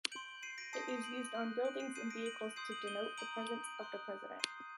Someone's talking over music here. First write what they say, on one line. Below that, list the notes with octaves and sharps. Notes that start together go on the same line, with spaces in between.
It is used on buildings and vehicles to denote the presence of the president.
C6 G6 D7 F#7
C7 D#7
A#6 D7
A5 D#6 G6 C7 D#7
C7 D#7
D7 F#7
C6 F#6
D7 F#7
C7 D#7
A5 D#6 G6 C7 D#7
A#6 D7
D7 F#7
C6 D#6 G6 C7 D#7
D7 F#7
D#7 G7
A#5 D#6 G6 D7 F#7
D7 F#7
C6 D#6 F#6
C6 D#6 G6 C7 D#7